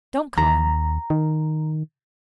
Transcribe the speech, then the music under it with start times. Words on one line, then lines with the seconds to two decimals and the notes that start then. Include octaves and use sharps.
Don't call him.
0.38 D#2 A#5
1.10 D#3